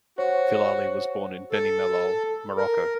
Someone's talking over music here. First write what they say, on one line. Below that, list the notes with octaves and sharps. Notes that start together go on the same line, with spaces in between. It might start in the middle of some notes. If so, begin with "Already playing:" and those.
Filali was born in Beni Mellal, Morocco.
F#4 C5 C#5
A4
A#4